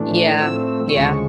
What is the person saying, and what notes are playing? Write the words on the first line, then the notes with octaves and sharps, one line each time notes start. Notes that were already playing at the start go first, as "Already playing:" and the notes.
Yeah, yeah.
Already playing: A2 E3 A3 D4
A2 F3 A3 C4 E6
D2 C#3 F3 G#3 C#6